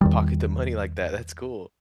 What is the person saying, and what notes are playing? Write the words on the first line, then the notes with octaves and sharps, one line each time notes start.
Pocket the money like that, that's cool.
E2 D#3 G3